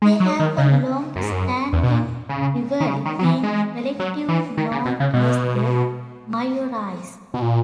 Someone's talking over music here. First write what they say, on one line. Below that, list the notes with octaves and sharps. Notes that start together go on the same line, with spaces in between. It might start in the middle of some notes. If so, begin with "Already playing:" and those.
They have a long-standing rivalry, being collectively known as the Maiorais.
G#3
F#3
D#3
C#3
F#2
G#2
F#2
E2
B2
A#2
C#3
D#3
C#3
D#3
F#3
E3
G#3
F#3
E3
D#3
C#3
B2
C#3
B2
B2
A#2